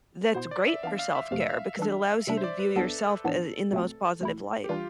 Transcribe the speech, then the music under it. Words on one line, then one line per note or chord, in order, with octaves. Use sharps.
that's great for self-care because it allows you to view yourself, uh, in the most positive light.
B2 B3 E4 C5
D5
E5
E3 B3 D4 F5
F5
E5
F2 C3 F3 A3 F5
E5
F5
E3 G3 D4 A4
C3 G3 D4 E5
C5
D5
B4
C2 B2 B3 D4 A4
A2 E3 B3 D4
C2 B2 A3 C4
C2 B2 A3 E4
G4
E3 G3 D4 F4